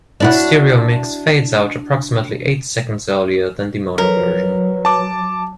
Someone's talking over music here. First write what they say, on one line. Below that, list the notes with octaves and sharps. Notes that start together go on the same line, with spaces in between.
The stereo mix fades out approximately eight seconds earlier than the mono version.
D4 E4 F#4
F#3 A#4 B4 C#5
A5 D6